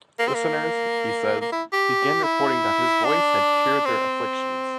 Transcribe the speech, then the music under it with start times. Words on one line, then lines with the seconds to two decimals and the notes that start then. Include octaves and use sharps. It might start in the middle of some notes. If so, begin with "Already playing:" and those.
Listeners, he says, began reporting that his voice had cured their afflictions.
0.19 A#3
0.27 C4
0.34 A#3
1.41 A#3
1.52 E4
1.73 G4
2.23 E4
3.05 D4
3.85 C4